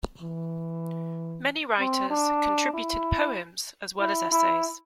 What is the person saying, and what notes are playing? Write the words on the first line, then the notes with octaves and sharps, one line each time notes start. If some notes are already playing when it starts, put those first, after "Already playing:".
Many writers contributed poems as well as essays.
E3
C4
D4
E4
E4
E4